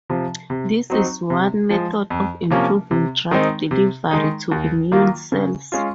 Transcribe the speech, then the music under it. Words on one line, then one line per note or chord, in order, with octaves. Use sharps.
This is one method of improving drug delivery to immune cells.
C3 F3
C3
F#3 C4 D#4
C3
F3 G#3
F2
C3 F3 A#3 C#4
C3
D#3 G#3 C4 D#4
C3
D#3 G#3 D#4
D#2
D#3 F#3 A#3 F4
C#3
G#3 C#4 F4